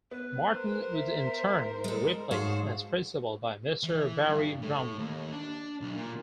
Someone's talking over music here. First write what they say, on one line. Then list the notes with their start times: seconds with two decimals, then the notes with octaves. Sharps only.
Martin would in turn be replaced as principal by Mr. Barry Brownlee.
0.11 B3 B4
0.46 A#4 C5
0.93 E5
1.84 G3 G#3 A4
2.31 G#2 F#4 G#4 A4 C5 C#5 F5 C6
3.83 E3
4.28 G2
4.62 A2
4.99 D#2
5.32 D4
5.81 B1
5.96 A#2